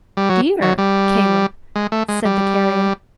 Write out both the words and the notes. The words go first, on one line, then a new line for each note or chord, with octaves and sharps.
"Dear, Caleb," said the Carrier.
G3
F#3
F#3
G3
G#3
A3
G#3
G3